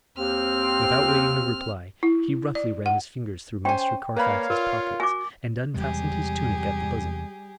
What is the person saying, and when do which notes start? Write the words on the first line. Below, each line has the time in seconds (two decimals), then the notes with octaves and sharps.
Without waiting a reply, he roughly ran his fingers through Master Carfax's pockets, and unfastened his tunic at the bosom.
0.17 D#2 C4 F6
2.03 E4
2.55 D5
2.86 F#5
3.65 C#4 C5 G5 G#5
4.16 A#3 B4 C#5 D5 F5 B5
4.50 F4 A#4
5.00 F#4 G#5 D6
5.74 E2 C3 G3 G#3 G4 G#4